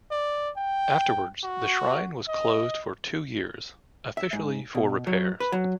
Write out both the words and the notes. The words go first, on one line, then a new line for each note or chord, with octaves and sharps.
Afterwards the shrine was closed for two years, officially for repairs.
D5
G5
F#4
D#5
E5
G#2
B2
F#3
B4
F#3